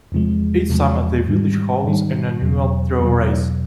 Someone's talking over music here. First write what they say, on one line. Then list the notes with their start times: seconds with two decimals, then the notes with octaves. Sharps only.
Each summer the village holds an annual Straw Race.
0.12 E2 C3 F3 G#3
0.70 E2 C3 F3 G#3
1.27 G#2 D#3 G3
1.84 G#2 D#3 G3
2.41 E2 B2 F#3
2.99 E2 B2 F#3